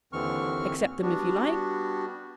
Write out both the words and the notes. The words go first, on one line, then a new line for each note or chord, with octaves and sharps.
Accept them if you like.
D#2 D3 E3 C4 C#6 F6
G3 B3 D4 F#4 G4